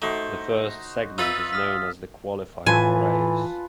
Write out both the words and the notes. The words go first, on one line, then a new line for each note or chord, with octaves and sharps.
The first segment is known as the Qualifying Race.
A3 D#4 F#4 C5
D#4 F4 B4 E5 E6 A6 B6
D#6 F6 B6
A2 E3 F4 B4 G#5 A5